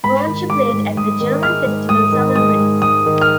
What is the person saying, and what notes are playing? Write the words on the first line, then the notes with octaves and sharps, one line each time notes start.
Raunchy played at the German festival Summerbreeze.
G#2 B5
D#3
G#3 D6
G#2
G#2 D#6
D#3
G#3 F6
G#2
G#2 D#6
D#3
G#3 D#6
G#2
G#2 D#6
D#3
F6